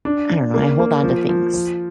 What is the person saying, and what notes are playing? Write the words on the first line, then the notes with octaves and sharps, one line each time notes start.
I don't know. I hold on to things.
D4
D4
A#3
A#3
F3
F3
F3